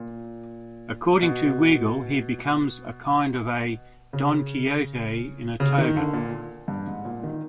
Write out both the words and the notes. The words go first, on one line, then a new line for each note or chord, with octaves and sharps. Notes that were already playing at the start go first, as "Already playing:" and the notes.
According to Weigel, he becomes a kind of "a Don Quixote in a toga".
Already playing: A#2
B2
C#3
C#3
D#3
D3
A#2
G2
G#2
A#2
D#3